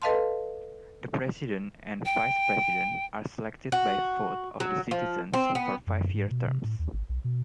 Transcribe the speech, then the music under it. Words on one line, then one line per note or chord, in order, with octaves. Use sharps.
The president and vice-president are selected by vote of the citizens for five-year terms.
A4 B4 D#5 F5 A5 C6
G5
F#4
F#3
F3
C4
B3
F#2
G#2
B2
C3
A2
D#2
G#1
B1
B2